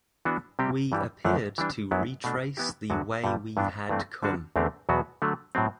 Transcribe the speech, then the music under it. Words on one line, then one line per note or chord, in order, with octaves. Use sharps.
We appeared to retrace the way we had come.
E3 B3 D4 F#4
C3 G3 C4 G4
G2 E3 G3
F#2 D3 A3 D4
E3 G3 D4
F#2 F#3 B3 E4
B2 A3 D4
E3 B3 E4 G4
E2 D3 F#3 B3 F#4
G2 D3 G3
G2 E3 B3 D4
G2 E3 A3 C4
D3 G3 D4 F#4
E2 D3 A3 C4 G4
E2 B2 F#3 B3 F#4
D3 F#3 A3
A2 F#3 C4